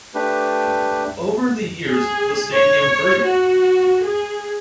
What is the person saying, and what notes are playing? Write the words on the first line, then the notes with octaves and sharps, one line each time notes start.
Over the years, the stadium grew.
A3 D4 G4 B4
G#4
C#5
F#4
G#4